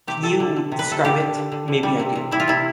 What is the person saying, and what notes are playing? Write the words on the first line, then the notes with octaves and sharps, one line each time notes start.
Can you describe it? Maybe I do.
C3 G4
C3 A4
D3
D3
C3
B4
C3 A4
D3 G4
D3
D3
D3
D3
G3
C3
C3
G3 E4
F4
C3 E4